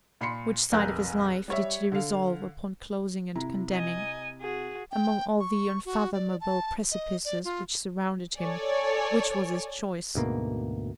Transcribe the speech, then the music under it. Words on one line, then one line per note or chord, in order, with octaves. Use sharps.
Which side of his life did he resolve upon closing and condemning? Among all the unfathomable precipices which surrounded him, which was his choice?
A#2 B5 C6 C7 C#7
F1 A#1 A#4 G#5 F#6 G6
G3 C#5 E5
D3 F5
C3 E4 A#5
D#5 G#5
F#4 G#4
G5
C#6
F#4
D5
A5
D#5
D5
F4
A4 C#5 D5 G#5
D2 G#2 B2 A#3